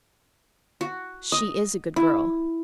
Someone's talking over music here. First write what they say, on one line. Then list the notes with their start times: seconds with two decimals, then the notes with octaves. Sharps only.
"She is a good girl."
0.81 F#4
1.32 D#5
1.96 E4